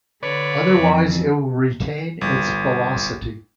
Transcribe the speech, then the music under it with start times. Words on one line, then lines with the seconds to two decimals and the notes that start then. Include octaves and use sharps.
Otherwise it will retain its velocity.
0.23 D3 B4 C#5 D5
0.74 F2 E3
2.21 G1